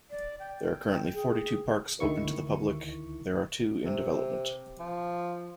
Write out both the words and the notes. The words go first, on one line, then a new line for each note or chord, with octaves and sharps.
There are currently forty-two parks open to the public, there are two in development.
D5
G5
G#4
D2 D#3 E4 C#6
C3
F3